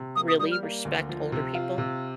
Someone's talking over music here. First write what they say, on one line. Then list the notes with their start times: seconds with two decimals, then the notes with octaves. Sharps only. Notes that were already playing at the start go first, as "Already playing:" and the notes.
really respect older people
Already playing: C3
0.16 A#3 D#6
0.28 D#6
0.39 G3 D#6
0.52 F6
0.63 A#3
0.85 D2
1.09 F3
1.32 C3
1.55 F4
1.78 C3